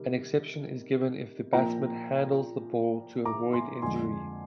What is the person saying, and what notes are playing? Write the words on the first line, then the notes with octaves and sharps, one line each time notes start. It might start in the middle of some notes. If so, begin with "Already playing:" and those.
An exception is given if the batsman handles the ball to avoid injury.
Already playing: C3 D#3 G3
A#2 F3 A#3 G5 A#5
A#5 D6
G#5 C6
F2 D3 G#3 G#5 C6